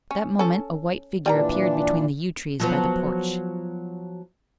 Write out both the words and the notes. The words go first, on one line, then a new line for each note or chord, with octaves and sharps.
That moment a white figure appeared between the yew-trees by the porch.
C#4
C#4 A4
A#2 E3 G3 D4 G#5 A#5
F3 F#3 B3